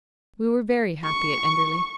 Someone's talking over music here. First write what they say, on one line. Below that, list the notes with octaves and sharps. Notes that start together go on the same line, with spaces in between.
We were very happy at Enderley.
C#6